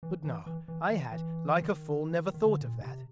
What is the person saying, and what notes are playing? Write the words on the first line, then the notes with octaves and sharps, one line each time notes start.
But no! I had, like a fool, never thought of that!
E3
E3
E3
E3
E3
E3
D#3
D#3
D3
A#2
C3